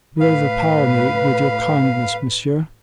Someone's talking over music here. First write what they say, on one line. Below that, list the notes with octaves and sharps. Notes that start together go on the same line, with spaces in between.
"You overpower me with your kindness, monsieur."
A2 B4 F5